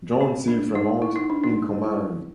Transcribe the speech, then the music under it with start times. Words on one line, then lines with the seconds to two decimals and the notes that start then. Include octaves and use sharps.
John C. Fremont in command.
0.21 C#4
0.48 D4
0.75 D#4
1.02 E4
1.16 D#4
1.30 D4
1.44 D#4
1.84 E4